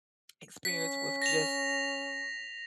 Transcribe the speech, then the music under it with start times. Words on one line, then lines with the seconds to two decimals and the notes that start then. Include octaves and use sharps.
experience with just
0.65 C#4 B6
1.22 A#6 F7